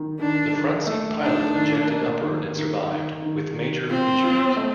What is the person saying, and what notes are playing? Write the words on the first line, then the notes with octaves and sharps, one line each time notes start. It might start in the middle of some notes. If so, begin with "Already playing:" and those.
The front-seat pilot ejected upward and survived, with major injuries.
Already playing: D#3
D#3 D4
D#3
A3
D4 D#4
D#3
A#3
D#3
D#3
D#3
D#3
D#3
C4 F4
F4
A3